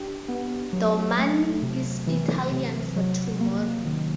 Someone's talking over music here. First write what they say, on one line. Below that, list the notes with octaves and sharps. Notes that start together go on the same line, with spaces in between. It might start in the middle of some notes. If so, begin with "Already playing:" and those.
"Domani" is Italian for "tomorrow".
Already playing: D4 G4
B3
F#3
A3
C3
E3
C3
F#3
A#3
D#3